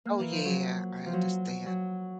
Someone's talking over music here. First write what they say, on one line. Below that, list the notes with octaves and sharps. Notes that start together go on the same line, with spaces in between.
Oh, yeah. I understand.
A#3
E3
F3
F#3
F3
F#3
F#3